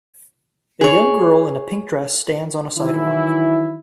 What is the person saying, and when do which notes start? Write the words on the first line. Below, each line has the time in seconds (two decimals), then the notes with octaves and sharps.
A young girl in a pink dress stands on a sidewalk.
0.81 G#4 C#5
2.77 D#3 E3 F#3 E4